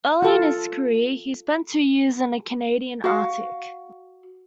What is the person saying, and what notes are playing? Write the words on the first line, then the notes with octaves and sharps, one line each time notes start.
Early in his career, he spent two years in the Canadian Arctic.
F4 A4
F#4 F5